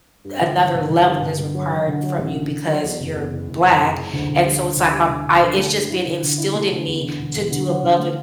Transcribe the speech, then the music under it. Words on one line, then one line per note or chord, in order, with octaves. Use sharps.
another level is required from you, because you're black. And so it's, like, I'm I it's just been instilled in me to do above and
G2
G1
E3
G1
G1
G2
G1
G1
F#3
F#3
D3
F#3
A1
D3
D3
F#3
E2
F#1
E2
F#1
F#1
F#1
F#1
F#1
D2
D2
G3
D3
D2
G3
D2
D3
D3
A3
G2
E4
D3
D3
E4
A3
D3
E2
D3
E1
E2
D3
F#3
D3
A3